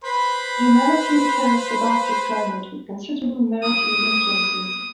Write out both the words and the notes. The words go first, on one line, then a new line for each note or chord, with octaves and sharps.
Unalakleet has a subarctic climate with considerable maritime influences.
B4 C5 B5
D#6